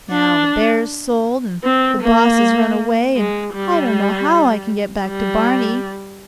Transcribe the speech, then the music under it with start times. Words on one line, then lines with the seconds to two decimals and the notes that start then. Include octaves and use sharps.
Now the bear's sold and the boss has run away, and I don't know how I can get back to Barney.
0.11 D4
1.64 C4
2.02 A#3
3.16 G#3
3.54 G3
5.06 G3